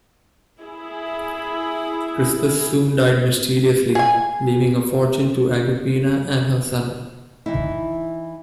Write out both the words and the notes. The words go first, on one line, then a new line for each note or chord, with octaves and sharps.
Crispus soon died mysteriously, leaving a fortune to Agrippina and her son.
E4 G#4
G#4 G#5
E3 D#4 E4